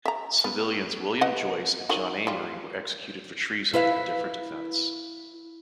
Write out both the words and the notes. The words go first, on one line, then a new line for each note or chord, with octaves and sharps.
Civilians William Joyce and John Amery were executed for treason, a different offence.
E5 A#5
B3
B4 D#5 F#5
D#3 F#3 F#4
G3 F4
E4 B4 F5